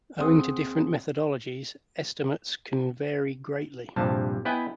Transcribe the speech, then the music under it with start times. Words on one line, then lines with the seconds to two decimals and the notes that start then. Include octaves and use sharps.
Owing to different methodologies, estimates can vary greatly.
0.20 D#2 C4 G#4 F#5 C6 D#6
3.96 A#1 G2 C3 F3 A5
4.45 B3 E4 B4 D#5 G5 G#5